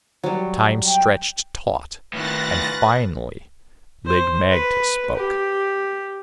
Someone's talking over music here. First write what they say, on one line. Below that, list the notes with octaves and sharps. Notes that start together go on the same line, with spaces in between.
Time stretched taut, and finally Lig-magte spoke.
F#3 G3
G5
A2 D#3 C#4 F4 B4 F#6 A6 A#6
C5
B4
G4